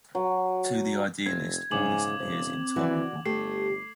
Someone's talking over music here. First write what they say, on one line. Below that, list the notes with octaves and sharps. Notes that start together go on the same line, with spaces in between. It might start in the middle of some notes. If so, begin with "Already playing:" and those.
To the idealist all this appears intolerable.
F#3
F1 C4 G#6
G#2 C#3 G#5 D6 F#7
E1 C4
E3 F#4 D5
G1 A3 G4 C7